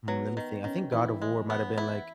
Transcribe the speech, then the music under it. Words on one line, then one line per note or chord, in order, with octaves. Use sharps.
mm, lemme think I think God of War might have been, like
F#3 B3
D#3
D#3 C#4
E3 E4
G#3
B3
E4